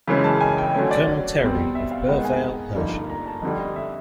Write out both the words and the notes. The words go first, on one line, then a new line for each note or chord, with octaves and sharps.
Colonel Terry of Burvale, Hersham.
F#2 C#3 E3 G#3 C#4
A5
G#5
G5
D3 F#3 A3 C#4
D5
B2 G3 C4
E5
F5
D#3 G#3 B3 D#4 F#5
G#5
G2 D3 F3 A#3 D#4
A#5
A5
F2 D3 G3 D#5
D#5
E5